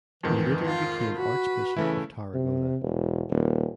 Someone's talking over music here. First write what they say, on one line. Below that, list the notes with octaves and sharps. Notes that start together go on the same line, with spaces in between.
He later became Archbishop of Tarragona.
F2 G#2 D#3 E3
F4
F#4 B4
C#3 E3 A3 E4
C3
E1
D#1